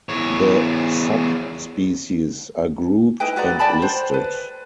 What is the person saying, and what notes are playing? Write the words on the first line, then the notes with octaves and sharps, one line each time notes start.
The subspecies are grouped and listed.
E2 C#5
D#4 E4 B4 G5
F#4 B4 D5 A#5
D5 G5 A5 B5
C5
B4